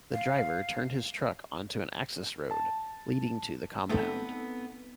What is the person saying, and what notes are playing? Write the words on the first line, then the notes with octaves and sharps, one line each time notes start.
The driver turned his truck onto an access road leading to the compound.
F5
A5
A3 B3 C4 D#4 A4